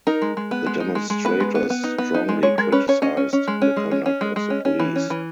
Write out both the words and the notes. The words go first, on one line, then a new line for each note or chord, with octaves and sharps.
The demonstrators strongly criticized the conduct of the police.
D#4 A#4
G#3
G#3
B3
G#3
D#4
G#3
G#3
B3 B4
G#3
B3
B3
D#4
B3
D#4
G#3
G#3 C#5
G#3 A#4
C#4 B4
C#4 C#5
C#4 D#5
C#4
C#4
G#3
C#4
G#3
C#4
C#4
G#3
G#3
C#4
C#4
E3
C#4
E3